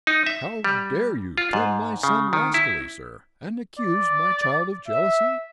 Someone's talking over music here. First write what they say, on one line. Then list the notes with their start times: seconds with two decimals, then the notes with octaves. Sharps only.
"How dare you term my son rascally, sir, and accuse my child of jealousy?"
0.07 D#4
0.26 E5
0.64 G3
1.38 F4
1.53 G#2
2.03 C#3
2.33 D#3
2.54 E4
3.79 D5
4.88 E5